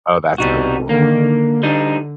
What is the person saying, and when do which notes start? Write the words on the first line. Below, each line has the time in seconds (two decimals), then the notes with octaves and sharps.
Oh, that's so cool.
0.38 C2 B2 G3 D#4 F#4
0.89 D3 D#3 A#3
1.18 D3
1.63 G3 D4 D#4